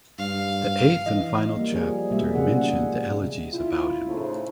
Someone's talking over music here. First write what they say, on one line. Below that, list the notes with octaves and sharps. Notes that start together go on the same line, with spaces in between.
The eighth and final chapter mentioned the elegies about him.
G2 F5
E3 D#5
G3 A#3
F3 G3 G#4
B2 G3 G#3 A#3 E5
A#2 C#3 G#4 F#5
D#4
E4 F4
A2 C#3 A3 D#4 E4 C5